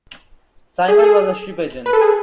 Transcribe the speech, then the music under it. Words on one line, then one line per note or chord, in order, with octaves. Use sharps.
Simon was a ship agent.
G#4
A4
G#4
B4
A4
G#4